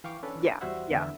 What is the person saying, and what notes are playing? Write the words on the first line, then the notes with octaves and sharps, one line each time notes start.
Yeah, yeah.
E3 F5 G5 C#6 D6
C#4 D4 A4 B4 D5
E2 G3 F#4 C5 E5 F#5
E2 D3 B3 E5